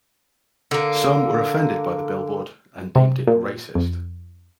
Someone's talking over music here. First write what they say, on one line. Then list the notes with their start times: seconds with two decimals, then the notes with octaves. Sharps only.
Some were offended by the billboard and deemed it racist.
0.71 D3 A#3
2.96 C3
3.27 A#2
3.75 F2